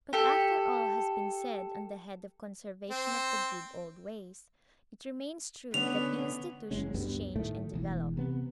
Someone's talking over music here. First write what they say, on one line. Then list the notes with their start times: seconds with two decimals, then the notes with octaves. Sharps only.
But after all has been said on the head of conservation of the good old ways, it remains true that institutions change and develop.
0.13 G4 A4
2.90 C4
5.74 D3 B3 C#4 F7
6.71 F#1 E2 G#3 C#4
6.94 D2 G2 G3 B3
7.36 A2 D#3 A3
7.74 E1 E2
8.17 C3 B3